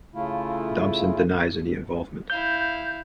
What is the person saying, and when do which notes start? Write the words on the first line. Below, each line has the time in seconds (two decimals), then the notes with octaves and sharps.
Dobson denies any involvement.
0.14 C#3 A3 E4 F4
2.30 E4 F5 G6